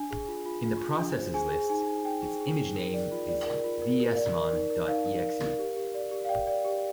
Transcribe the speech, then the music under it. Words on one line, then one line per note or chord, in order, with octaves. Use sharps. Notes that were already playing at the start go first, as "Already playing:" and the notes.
In the processes list its Image Name is "vsmon dot exe".
Already playing: D4 G#5
G#4
F4
F4
F4
F4
D4
C5
G#4 G#5
G#4
D#4 G#5
D#4
D#4 G5
G#4
G#4
D#4
A#4
D5
F4
D5
A#4
F4
A#4
A#4
D5
A#4
D#4
A#4
D#4 F5
A#4
A#4
A#4
G4
G4
D5
G4
F5
D5 G5
D5
G4